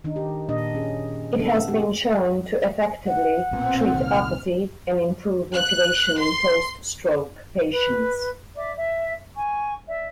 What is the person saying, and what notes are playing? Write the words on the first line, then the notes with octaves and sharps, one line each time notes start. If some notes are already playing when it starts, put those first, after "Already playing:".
It has been shown to effectively treat apathy and improve motivation in post-stroke patients.
D#3 D4 D#4
G4
A#2 D4 D#5
C#4 G#4
A3 B3 C4 D4 A4
G#3 F#4 G4
F#5
B1 A#2 B3 C4
C2 A#2 D#3 F6
F#6
C6
B4
D5 E5 D6
E5
G#5 C#6
D5 E5